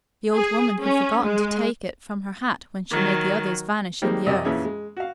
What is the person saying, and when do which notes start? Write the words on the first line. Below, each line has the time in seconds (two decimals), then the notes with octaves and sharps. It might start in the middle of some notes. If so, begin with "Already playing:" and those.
The old woman had forgotten to take it from her hat when she made the others vanish in the earth.
0.35 G#4
0.82 C#4
1.22 G#3
2.91 D#3 F#3
4.02 D#3 G3 G#3 A#3 C4
4.26 F#2 C3 G4 D5 D#5 D#6
4.45 F2 A#2 E3 C#4 G#4 E5
4.65 G#3
4.97 F#4 F5